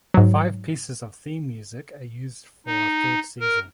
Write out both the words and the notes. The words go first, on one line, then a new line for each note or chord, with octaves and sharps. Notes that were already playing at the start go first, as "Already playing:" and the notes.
Five pieces of theme music are used for third season.
G#2 F#3
D#4
A#4